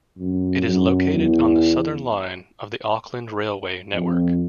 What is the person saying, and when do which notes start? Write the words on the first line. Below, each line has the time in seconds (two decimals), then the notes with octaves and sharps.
It is located on the Southern Line of the Auckland railway network.
0.18 F#2
0.65 F#2
1.13 E2
3.93 F2